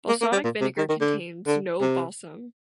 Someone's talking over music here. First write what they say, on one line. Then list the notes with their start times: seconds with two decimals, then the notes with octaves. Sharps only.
Balsamic vinegar contains no balsam.
0.09 A#3
0.21 A#3
0.33 G3
0.44 A#2
0.61 C3
0.78 D#3
0.89 D#3
1.01 D3
1.46 D3
1.81 C3